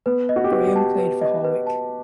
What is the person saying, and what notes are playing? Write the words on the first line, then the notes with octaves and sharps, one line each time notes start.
Graham played for Hawick.
B3 B4
D#5
F#4
G4
F#4 B4
G4
A5
B4
D#5
B4
A5